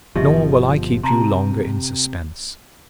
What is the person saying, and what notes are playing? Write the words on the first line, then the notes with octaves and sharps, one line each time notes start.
Nor will I keep you longer in suspense.
G1 B2 F3 G4 D#5 E5
C3 A5 A#5 C6